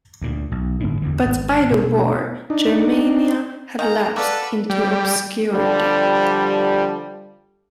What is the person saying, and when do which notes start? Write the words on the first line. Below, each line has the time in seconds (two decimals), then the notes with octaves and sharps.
But by the war, "Germania" had lapsed into obscurity.
0.22 D2 A#2
0.52 B1
0.80 G1 A2
1.02 E2 D3 E3
1.25 G#1
1.71 B2 D4
2.50 D4 D#4
3.79 D#3 D#5 F5 G#5 A#5
4.16 F#4 A4 B4 D5 F5 D6
4.70 G3
5.52 D3 F3 G3